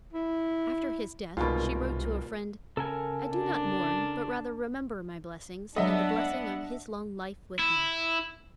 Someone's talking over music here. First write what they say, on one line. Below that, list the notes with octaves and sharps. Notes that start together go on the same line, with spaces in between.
After his death, she wrote to a friend, "I do not mourn, but rather remember my blessings, and the blessing of his long life with me."
E4
C2 G#2 B2 F4 A#4
C#3 A4 A#4 G#5
D4
F#3 G#3 B3 D4 A4 D#5 E5 F#5
E4